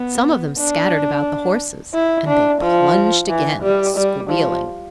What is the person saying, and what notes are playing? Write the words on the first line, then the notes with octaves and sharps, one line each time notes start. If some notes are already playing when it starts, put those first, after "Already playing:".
Some of them scattered about the horses and they plunged again, squealing.
Already playing: B3
D4
E4
D4
F3
E3
G3
G3
F3